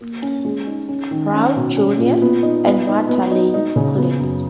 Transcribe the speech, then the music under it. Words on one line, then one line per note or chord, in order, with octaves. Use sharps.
Brown, Junior and Martha Layne Collins.
A#3
C#4
G#3
D#4
C#4
D#3
C#4
B2
C#4
A#2
B3
D#4
B3
D#4
B3
D#4
D#4
C#3
B3
F#2